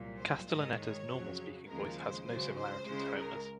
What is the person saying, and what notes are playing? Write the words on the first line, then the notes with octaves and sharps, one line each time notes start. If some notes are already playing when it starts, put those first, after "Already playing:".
Castellaneta's normal speaking voice has no similarity to Homer's.
Already playing: C2 A#2 F#3
C5
G#2 D#3 G#3 D#5
C#5
F2 C#3 F#3
D#2 C#3 F3 G#3 A#4
C5
C#2 C#3 F#3 C5
C5
C#2 C#3 G#3
A#4